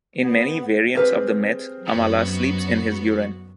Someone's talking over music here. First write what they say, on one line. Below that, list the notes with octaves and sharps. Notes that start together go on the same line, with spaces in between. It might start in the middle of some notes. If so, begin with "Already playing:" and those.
In many variants of the myth, Amala sleeps in his urine.
B3
C4 G4 G#4 B4 F6
F#2 F#3 B3 F#4